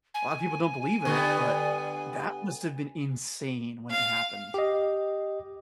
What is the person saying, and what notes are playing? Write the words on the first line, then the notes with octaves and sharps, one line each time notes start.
A lot of people don't believe in it, but, that must have been insane when it happened.
G#5
D3 G3 B3
F5
G4 D#5